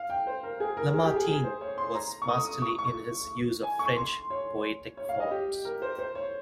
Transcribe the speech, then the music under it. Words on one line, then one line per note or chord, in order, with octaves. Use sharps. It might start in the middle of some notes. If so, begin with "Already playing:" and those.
Lamartine was masterly in his use of French poetic forms.
Already playing: F5
G5
C5
A#4
G#4
A#4
G#4
G4
G#4
G#4
C5
C#5
C6
A#5
C#6
D#6
D#6
C#6
C#6
G#5
C#6
C6
C#5
C#5
F5
D#5
G4
A#4
C5
C5
C#5